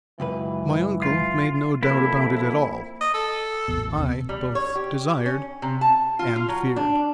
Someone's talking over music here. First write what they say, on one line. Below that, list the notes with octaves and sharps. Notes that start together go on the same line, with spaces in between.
My uncle made no doubt about it at all; I both desired and feared.
C#2 F#2 E3 B4
F4
F2 A#3 E4
D#5
A4
A1 E2 B2
D#2 C3 B3
G3
C#5
G4
C#4
C3
A5
F4
F4
F#3
D4